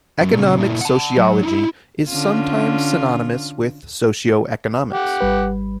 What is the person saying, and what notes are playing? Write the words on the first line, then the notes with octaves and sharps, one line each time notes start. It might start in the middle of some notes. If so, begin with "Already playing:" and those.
Economic sociology is sometimes synonymous with socioeconomics.
F#2
A#2 C#3
A#2 E4
F#5 A5
F#3
D#4 E4
D3 C#4 F4
G4 F#5
G#1 G3 B4